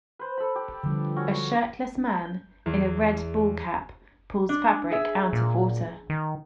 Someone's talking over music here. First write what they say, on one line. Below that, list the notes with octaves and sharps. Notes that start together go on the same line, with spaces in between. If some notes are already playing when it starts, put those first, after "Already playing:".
A shirtless man in a red ball cap pulls fabric out of water.
B4 C5
A4 B5
G4
D3 F3 G3
C#4 F#4
G6
E2
D4
G#4 E5
A#2
D#3